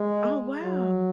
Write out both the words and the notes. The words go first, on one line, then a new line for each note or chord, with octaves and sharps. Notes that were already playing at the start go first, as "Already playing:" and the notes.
Oh, wow.
Already playing: G#3
F#3